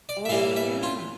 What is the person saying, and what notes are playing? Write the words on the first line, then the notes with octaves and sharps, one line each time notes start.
Oh yeah.
D5
E5
A2 E3 G3 A#3 F5
E5
F4